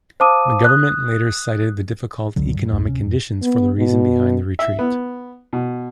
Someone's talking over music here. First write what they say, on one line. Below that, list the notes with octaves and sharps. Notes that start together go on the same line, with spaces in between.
The government later cited the difficult economic conditions for the reason behind the retreat.
C5 F5 A5 D6 D#6 D#7
D#6 F#6
F1 C#2 D3 F#3
G2
B1 F2 G#3 A3
D1 C3 C#4
F2
B3
B2
E5
B3
B2